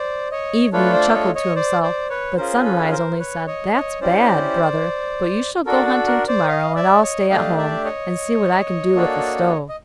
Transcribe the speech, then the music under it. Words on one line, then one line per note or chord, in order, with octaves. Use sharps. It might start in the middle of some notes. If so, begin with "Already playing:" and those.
Evening chuckled to himself, but Sunrise only said, "That's bad, brother; but you shall go hunting to-morrow, and I'll stay at home, and see what I can do with the stove."
Already playing: C5 D5
C#5 D#5
A3 D4 F4 A4 B4 C#5
C5 D5
C#5 D#5
C#5 D#5
C5 D5
C5 D5
B4 C#5
C#4 F4 G#4 A#4 C5
A4 B4
A#4 C5
B4 C#5
C#5 D#5
C#5 D#5
C#4 E4 G4 C5 D5
D4 F#4 A4 A#4
A4
A#4
C5 D5
D#5 F5
D5 E5
C#5 D#5
A3 D4 G4 D#5 F5
D5 E5
C#5 D#5
A#3 D4 F#4 A4
D#5